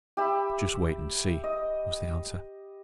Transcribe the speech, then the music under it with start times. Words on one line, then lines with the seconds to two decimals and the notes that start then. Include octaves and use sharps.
"Just wait and see," was the answer.
0.17 G4 E5 B5
1.44 D#5